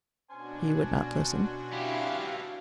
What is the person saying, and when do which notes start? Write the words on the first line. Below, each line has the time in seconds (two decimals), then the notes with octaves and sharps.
He would not listen.
0.31 B2 C#4 D4 F#4 C5 G#5
1.73 E4 G4 F5